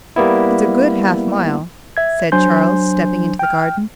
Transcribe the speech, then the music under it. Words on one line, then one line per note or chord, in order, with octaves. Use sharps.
"It's a good half-mile," said Charles, stepping into the garden.
G3 A#3 B3 E4
E5 G#6
F#3 D4 C5 G#5 C6 G6
G5 F6